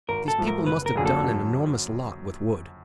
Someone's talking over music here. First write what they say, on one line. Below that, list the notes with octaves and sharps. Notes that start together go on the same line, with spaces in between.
These people must have done an enormous lot with wood.
G#1 A#4
A4
G#2 F3 A3
A#4
F#1 B4
A#4
F2 D3 F#3 A#3 G#4
A4
F#2